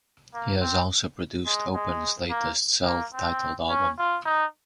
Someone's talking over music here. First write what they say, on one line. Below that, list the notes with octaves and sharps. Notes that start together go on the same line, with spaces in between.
He has also produced Open's latest self-titled album.
A#3
C4
G#3
G#3
A#3
A#3
C4
C#4
F4
D#4